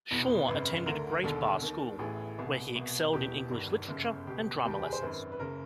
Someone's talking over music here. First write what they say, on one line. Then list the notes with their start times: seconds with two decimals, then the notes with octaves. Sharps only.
Shaw attended Great Barr School, where he excelled in English literature and drama lessons.
0.11 F1 E2 B2
0.47 G#1 F#2 C#3 B4
0.86 D2 D3 A#4
1.23 E1 D#2 D3 A4
1.62 D#2 D#3
1.99 A1 A2 E3 G#4
2.38 C2 B2
2.76 C2 B2
3.13 E1 E2 B2 G4
3.50 G1 G2 D#3
3.88 G1 F#2 C#3
4.27 C#2 B2 G4
4.64 F1 D#2 D#3 G4
4.74 G4
4.83 G#4
4.93 C5
5.02 G#1 F#2 D#3 B4
5.32 B4
5.40 F#1 C#3 A#4